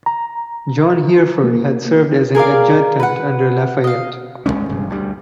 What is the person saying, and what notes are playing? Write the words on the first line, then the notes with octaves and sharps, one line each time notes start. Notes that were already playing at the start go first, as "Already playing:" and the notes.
John Hereford had served as an adjutant under Lafayette.
A#5
A#3
G#4 A#4 D5 F5
B4 F#5
D#5 F5
G1 F2 G#3 C#4
E1 G2 C#3
D2 G3